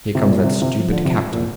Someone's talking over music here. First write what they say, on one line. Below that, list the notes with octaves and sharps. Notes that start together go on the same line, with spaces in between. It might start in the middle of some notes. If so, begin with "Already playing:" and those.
"Here comes that stupid captain."
C3
A#2 G3
C3
C3
F3
D3
C3
A#2